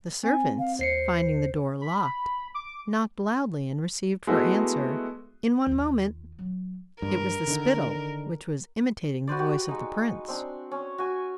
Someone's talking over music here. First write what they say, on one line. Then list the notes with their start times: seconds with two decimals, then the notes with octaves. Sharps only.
The servants, finding the door locked, knocked loudly and received for answer, 'In one moment.' It was the spittle, which was imitating the voice of the prince.
0.24 C4 G#5
0.59 F5
0.79 D#2 C5 C7 C#7
1.81 B5
2.55 D6
4.27 G#3 A3 B3 E4 F#4
5.67 D#2 F4
6.39 F#3
7.02 G2 A#4
7.47 D3 D#3
9.27 F#4 B4 C5 D5
9.39 F#4 G4
9.69 G#3 D#4
10.28 C4 D4
10.71 C#4
10.98 F#4 G#5